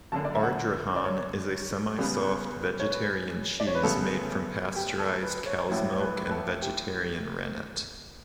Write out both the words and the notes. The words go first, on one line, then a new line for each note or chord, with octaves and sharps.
Ardrahan is a semi-soft vegetarian cheese made from pasteurised cow's milk and vegetarian rennet.
F#1 F#2 D3 A5
D5
E5
F#5
D5
C#5
C#2 C#3 G3 B3
C#5
B4
D5
C#5
B4
D2 C#3 G3 B3 A4
G4
A4
B4
C#5
A1 A2 F#3 C#5
C#5
B4
B4
A4
G4